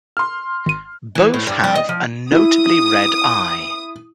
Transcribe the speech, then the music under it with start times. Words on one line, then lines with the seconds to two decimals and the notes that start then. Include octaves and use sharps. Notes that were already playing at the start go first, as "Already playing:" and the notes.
Both have a notably red eye.
0.17 C6 F6
0.66 G#1 D#7
1.15 E3
1.34 A2
1.47 G2
1.64 G3
1.75 D#5
1.89 F3
2.32 E4 D#6